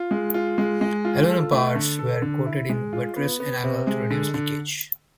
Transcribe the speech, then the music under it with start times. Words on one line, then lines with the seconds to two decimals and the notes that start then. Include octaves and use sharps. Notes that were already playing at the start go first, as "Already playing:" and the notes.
Aluminium parts were coated in vitreous enamel to reduce leakage.
Already playing: F4
0.11 G#3
0.34 F4
0.58 G#3
0.81 G#3
1.05 F4
1.28 A4
1.52 A3
1.75 D3
1.99 A4
2.22 D3
2.46 E4
2.69 G#3
2.93 F4
3.16 B3
3.40 B3
3.64 C3
3.87 G#3
4.11 D3
4.34 D3